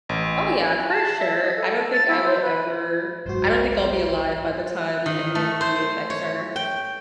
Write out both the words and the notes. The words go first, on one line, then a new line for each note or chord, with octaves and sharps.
Oh yeah, for sure. I don't think I will ever I don't think I'll be alive by the time any of the effects are,
A1
A5
E5
D#5
A4
A5
A6
E4
C5
B4
F#1 B1 G#2 F#4 C5
D#3
A3
C5
C#5
G5